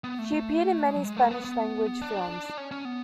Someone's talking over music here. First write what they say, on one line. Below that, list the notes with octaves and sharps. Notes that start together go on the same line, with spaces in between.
She appeared in many Spanish language films.
B3
A3
G#3
F#3
G#3
A3
B3
B3
D4
C#4
C#4
B3